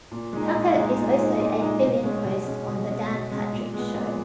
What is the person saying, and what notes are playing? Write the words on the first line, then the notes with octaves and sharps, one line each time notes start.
Tucker is also a fill-in host on the "Dan Patrick Show".
A#2
G#3 D#4
A#2
G#3 D#4
A#2
G#3 D#4
A#2
G#3 D#4
B2
G#3 C#4
B2
G#3 C#4
B2
G#3 C#4
B2
G#3 C#4
A#2
G#3 B3
A#2